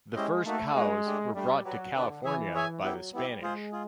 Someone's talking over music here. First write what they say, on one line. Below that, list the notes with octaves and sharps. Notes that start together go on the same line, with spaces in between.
The first cows were brought to California by the Spanish.
G#3 C#4 E4 G4 C5 D#5
A3 A#3 D#4 F#4
G#3 A#3 D#4 F#4
A3 D4 G4
G3 A3 D4 G4
F#3 G4 B4 D5
D3 G4 B4 D5
E3 G#4 C#5 E5 G#5
G#4 C#5 E5 G#5
F#3 B3 E4 G4
G3 B3 E4 G4
G#3 F4 G#4 C5
F4 G#4